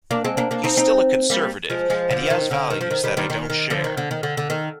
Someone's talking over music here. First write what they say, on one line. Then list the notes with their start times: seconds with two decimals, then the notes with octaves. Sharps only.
He's still a Conservative and he has values that I don't share.
0.11 A#3 D4
0.24 G#3 C4
0.37 A#3 D4
0.51 A#3 D4
0.64 C4 D#4
0.77 C4 D#4
1.30 G3 A#3
1.70 F3 G#3
1.90 F3 G#3
2.11 D3 F3
2.30 D#3
2.51 D3
2.70 D#3
2.81 F3
2.91 D#3
3.04 D#3 G3
3.17 D#3 G3
3.30 D#3
3.50 D#3
3.70 D3 F3
3.84 D#3
3.97 D3
4.11 D#3
4.23 D3
4.37 D3
4.50 D#3